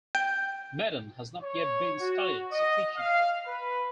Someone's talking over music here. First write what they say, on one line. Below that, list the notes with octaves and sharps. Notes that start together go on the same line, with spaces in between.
Medun has not yet been studied sufficiently.
G5
C#5
F#4
D#5
F5
B4